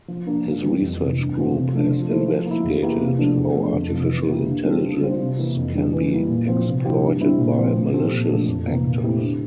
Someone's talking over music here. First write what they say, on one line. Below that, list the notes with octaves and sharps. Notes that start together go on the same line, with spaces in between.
His research group has investigated how artificial intelligence can be exploited by malicious actors.
F3
A#3 D4
G2
E3 G3
F2
C3 E3
G2
E3 A3 C4 F4
C3
F3 A3 D4
F3
A3 E4 A4 C5
F3
A#3 E4
E2
E3 A#3 E4 G4
C3
F3 A3 D4
E2
D3 F3 A3
F2
C3 F3
E3
A#3 E4 G4
D3
G3 C4 F4 A4
D3
G3 D4 F4 C5
C3
E3 A#3 E4
F2
E3 G3 D4
E3
G3 A#3 E4
A#2
F3 C4
C3
F3 A#3 E4 G4
G2
D3 G3 C4 E4
A#2
F3 C4
A2
F3 A3 C4 G4
A#2
F3 A3 D4 A4
F2
C3 E3 A#3
A#2
A3 C4 E4 G4
D3